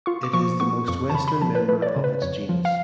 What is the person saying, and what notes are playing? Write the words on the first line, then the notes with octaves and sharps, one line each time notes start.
It is the most western member of its genus.
F4 C#6
D6
F3 C#6
B3 C#6
F2 C#6
A5
C#3 B5
B5
F3 A5
B4
A3 B4
D5
C#5
C#3
B4
F2 C#5
F3
F5